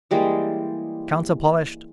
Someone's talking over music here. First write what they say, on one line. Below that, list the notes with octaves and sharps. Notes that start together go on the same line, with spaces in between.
Counter polished.
E3 G3 G#3 A#3